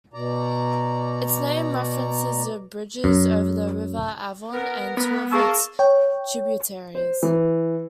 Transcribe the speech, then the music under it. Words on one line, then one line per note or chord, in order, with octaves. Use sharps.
Its name references the bridges over the River Avon and two of its tributaries.
B2 D5 A#5
F#2
B3 A#4
B3 B4
A#3 G#4 A5 C#6 E6
C#5 G5
C5
E3